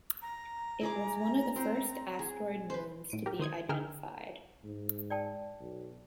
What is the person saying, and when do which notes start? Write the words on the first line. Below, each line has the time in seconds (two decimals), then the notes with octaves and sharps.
It was one of the first asteroid moons to be identified.
0.22 A#5
0.81 E4 G#4 D6
1.56 C4 C5
2.19 G#4
2.70 B4 C5
3.10 A2 D7 D#7
3.26 G4 A#4
3.39 D#3 C5 D#6 G#6
3.69 D3 G#4 A#4 G5 E6 F6
4.64 G#2
5.10 D5 G5 A5
5.60 B1